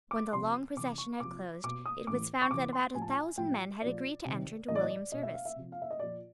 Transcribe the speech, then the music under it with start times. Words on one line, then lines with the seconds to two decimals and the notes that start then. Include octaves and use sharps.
When the long procession had closed, it was found that about a thousand men had agreed to enter into William's service.
0.11 D6
0.33 C3 F3 C6
0.76 C3 E3 D6
0.98 C#6
1.20 C3 F3 D6
1.64 B2 D6
1.86 D#6
2.07 A2 E3 D6
2.42 C#6
2.51 C3 E3 D6
2.73 C6
2.94 A2 F3 G#5
3.02 A5
3.09 G#5
3.37 A2 F3 G5
3.82 A#2 F3 D5
4.25 C3 D#3
4.68 A2 E3 D#5
4.75 D5
4.83 D#5
4.90 D5
5.12 B2 D#5
5.23 E5
5.34 F5
5.45 E5
5.56 C3 F3
5.72 F5
5.82 E5
5.90 D#5
5.99 A#2 F3 D5